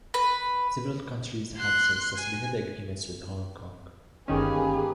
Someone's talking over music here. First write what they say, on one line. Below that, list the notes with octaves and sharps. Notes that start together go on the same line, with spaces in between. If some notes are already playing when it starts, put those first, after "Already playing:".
Several countries have since suspended the agreements with Hong Kong.
B4
C6 F#6
G#5
G1 D#3 A#3 C#4 G4 G#4 B4